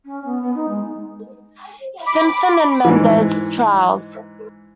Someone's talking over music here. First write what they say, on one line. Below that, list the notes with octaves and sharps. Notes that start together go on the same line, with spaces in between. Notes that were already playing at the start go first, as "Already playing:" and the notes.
Simpson and Menendez trials.
C#4
B3
B3
D#4
G#3
B5 D6
G#2 E3